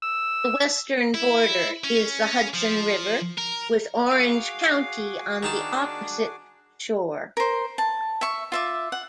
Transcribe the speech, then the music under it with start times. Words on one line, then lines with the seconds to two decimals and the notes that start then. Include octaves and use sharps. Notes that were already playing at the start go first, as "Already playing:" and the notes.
The western border is the Hudson River, with Orange County on the opposite shore.
0.02 E6
1.14 E4
1.84 C#4
2.54 F3
3.38 A#4
4.12 F#4 G#4 F5 D6
5.43 D#3 D4 D#4 A5
7.37 A#4 C5
7.78 A5
8.21 E5 C#6
8.52 F4 E5 D6
8.92 F#5